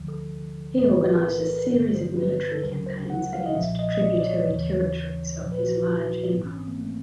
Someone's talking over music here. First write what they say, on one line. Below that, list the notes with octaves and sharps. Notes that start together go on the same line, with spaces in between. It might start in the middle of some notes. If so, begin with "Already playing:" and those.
He organised a series of military campaigns against tributary territories of his large empire.
Already playing: D2 D3 F3
A4
B1 A2 E3 A#4
B4
B4
A#4
B4
A4
A#4
B4
G#1 G2 D3 C5
C5
B4
A4
D2 C#3 F#3 A#4
C5
F#5
F5
D#5
B1 A#2 F3 E5
D#5
D#5
D5
D5
C#5
D#2 C#3 E3
A#1 A#2 F3 C5
B4
F#4
E4
G#1 G#2 E3 B3
C#4
C4
A#3
A3